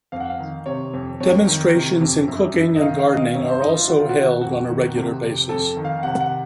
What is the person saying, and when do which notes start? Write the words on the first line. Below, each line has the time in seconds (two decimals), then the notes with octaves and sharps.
Demonstrations in cooking and gardening are also held on a regular basis.
0.12 F2 F5
0.20 F#5
0.30 F5
0.39 D#3
0.66 C3 C#5
0.93 F2
1.20 F2 C#5
1.47 D#3
1.74 C3
2.01 F2
2.28 F#2
2.54 F#2
2.76 D#5
2.82 D#3 F5
2.99 F5
3.08 D#3 D#5
3.17 F5
3.35 F#2 C#5
3.48 C5
3.61 F#2 D#4
3.75 F4
3.88 D#3 F#4
3.99 F4
4.09 F#4
4.15 D#3
4.41 F2 F#4
4.69 D#3
4.95 C3
5.22 F2
5.49 F2 A4
5.77 D#3
5.85 F5
6.03 C3 F#5
6.21 F#5